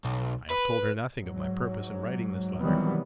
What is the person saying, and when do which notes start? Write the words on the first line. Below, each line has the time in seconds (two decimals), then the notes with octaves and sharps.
I have told her nothing of my purpose in writing this letter.
0.05 B1
0.50 B4
1.19 G#2 F#3
2.61 C3 D#3 E3 F#3 G3 B3